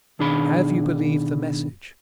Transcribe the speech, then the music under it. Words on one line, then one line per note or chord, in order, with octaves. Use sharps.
Have you believed the message?
B2 D#3 D4 G#4 B5